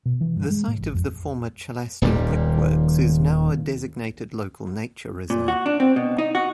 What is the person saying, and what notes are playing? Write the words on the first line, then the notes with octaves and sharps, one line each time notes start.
The site of the former Chellaston Brickworks is now a designated Local Nature Reserve.
B2
E3
G2
G#3
A2
A1
F2
D#1 D#2 A#2 G3
A#2
F#4
D4
C4
B2
D#4
F#4